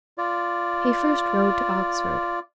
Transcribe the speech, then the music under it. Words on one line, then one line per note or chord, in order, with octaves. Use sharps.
He first rode to Oxford.
F4 D5